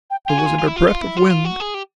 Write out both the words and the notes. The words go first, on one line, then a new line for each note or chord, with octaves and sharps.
There wasn't a breath of wind.
G5
G5
F4 G#5
F#4
F4
F4
E4
F4
F4
E4
F4
F4
F#4
G#4
G4